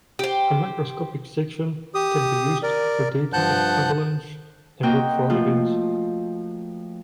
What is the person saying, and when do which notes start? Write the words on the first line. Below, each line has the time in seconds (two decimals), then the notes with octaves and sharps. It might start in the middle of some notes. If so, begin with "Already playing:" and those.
A macroscopic section can be used for dating of avalanche and rockfall events.
0.19 G4 C5
1.95 G4 D#6
2.63 A#4 D5
3.33 G2 F3 F#5 A5 F#6 G6
4.83 A#3 C4 F#4 D#5 G5
5.30 F3 A3 F4